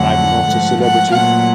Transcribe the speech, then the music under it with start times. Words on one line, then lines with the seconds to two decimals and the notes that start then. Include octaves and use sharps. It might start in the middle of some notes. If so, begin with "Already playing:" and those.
I'm not a celebrity.
Already playing: F2 D3 F#3 A3 F#5
0.47 G#2 F3 A3
0.79 F#5
1.10 A#2 F#3 A3 F#5